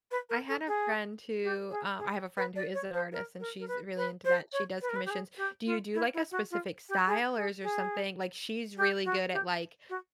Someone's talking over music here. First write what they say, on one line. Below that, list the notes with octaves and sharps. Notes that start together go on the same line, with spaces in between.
I had a friend who uh, I have a friend who is an artist, and she's really into that, she does commissions. Do you do like a specific style, or is there something like, she's really good at, like,
B4
A#4
A4
G#4
G4
G#4
G#4
B4
D5
C#5
C5
A#4
A#4
A#4
B4
B4
C5
C#5
B4
A#4
B4
G4
G#4
G4
F4
E4
E4
F#4
F4
G4
G#4
G#4
G#4
G4
F#4
G4
F#4